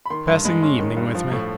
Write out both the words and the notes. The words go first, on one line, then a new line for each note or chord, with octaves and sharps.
Passing the evening with me.'
B5
D#3 C6
G2 C6
G#3 B5
C#4 C6
D#3
G2
F3
A2